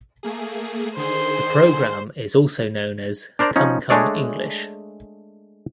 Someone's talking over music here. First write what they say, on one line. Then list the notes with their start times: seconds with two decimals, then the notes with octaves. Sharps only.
The program is also known as "Come Come English".
0.23 A3 A#3 G#4
0.97 D3 D#3 G#4 C5
3.39 D4 A#4 C5 D5 A#5
3.56 F3 C#4 D#4
3.90 G#3 A3 D4 G#4 C#5 D5